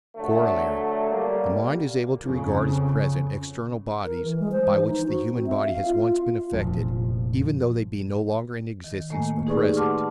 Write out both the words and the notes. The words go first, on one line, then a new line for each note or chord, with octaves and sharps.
Corollary.--The mind is able to regard as present external bodies, by which the human body has once been affected, even though they be no longer in existence or present.
D3 F#3 A3
G3 A#3
F2 C#3
A#4
E3
G#3
C5
E3
D#4
F#4
C4
E5
F5
F4
F1 A#2 F3
D#3
A2 D#3 A3 A#3 G#5
D#4 G4 G#4 B4 D5 C#6
F#5 A5 C6 D6 F6